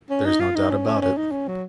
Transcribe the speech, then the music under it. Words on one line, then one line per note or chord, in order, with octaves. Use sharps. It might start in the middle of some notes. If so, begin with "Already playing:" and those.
There's no doubt about it.
C#4
D#4
F4
D#4
C#4
C#4
C#4
D#4
C#4
F#3